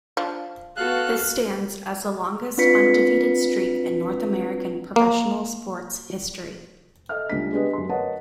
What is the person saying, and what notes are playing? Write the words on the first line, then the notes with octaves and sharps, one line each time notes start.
This stands as the longest undefeated streak in North American professional sports history.
F3 D4
B3 F#4 A4 F5 F#6
C4 D4 F4 B4 B6 C#7
A#3
A4 D#5 E5 F6
C#2 G3 D4 B6
G#3 B3 D4 G4 B4 D#5
F#2 C6
A#4 B4 C#5 D#5 F#5 A5